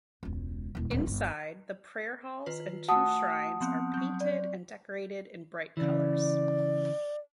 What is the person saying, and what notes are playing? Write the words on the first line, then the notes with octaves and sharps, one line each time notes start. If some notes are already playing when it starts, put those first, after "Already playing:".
Inside, the prayer halls and two shrines are painted and decorated in bright colours.
E1 C#2
D#1 E4
D1 C#2
G1
D#3 F4 B4
A3 F#4 F#5 A5 D#6
F3 B3 C4
F#3 C4
D5
C#3 E3 D5